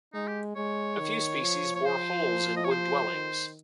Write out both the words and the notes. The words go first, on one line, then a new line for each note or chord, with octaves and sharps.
A few species bore holes in wood dwellings.
G#3 D#4
G4
G#3 C#5
D#3
F3
C#5
F3 C5
D#5
C#5
C5
D#3